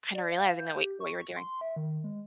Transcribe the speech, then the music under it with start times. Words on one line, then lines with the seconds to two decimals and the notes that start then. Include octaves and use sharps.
kinda realizing that wha what you were doing
0.15 D5
0.32 F5
0.59 G6
0.76 G4
1.00 C#6
1.36 C6
1.61 E5
1.76 D#3
2.04 G#3